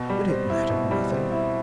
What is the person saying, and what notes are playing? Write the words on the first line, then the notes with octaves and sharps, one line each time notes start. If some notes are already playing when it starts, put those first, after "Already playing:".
But it mattered nothing.
Already playing: B2
G3
C4
E4
B2
G3
C4
E4